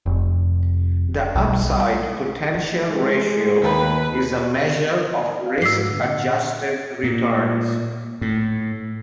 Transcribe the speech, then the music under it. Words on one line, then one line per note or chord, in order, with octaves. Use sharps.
The Upside-Potential Ratio is a measure of risk-adjusted returns.
F1
B1 G3
G#3
D#2 B4
F5
G#2 F#4 D6 E6 B6 C7
A#2 D3
F#5
A#2
A2